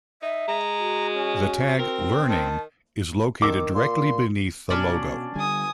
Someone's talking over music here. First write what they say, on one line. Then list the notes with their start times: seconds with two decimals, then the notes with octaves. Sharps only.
The tag 'Learning' is located directly beneath the logo.
0.22 D#4 E5
0.48 G#3 A#5
0.78 F#4
1.15 C#4
1.79 C4 A#4
2.29 D#3 A5
3.42 D#3 D6 E6
3.75 A#2 C6
4.70 B2 C#4 D4 D5
5.35 D3 G3 G#5 D#6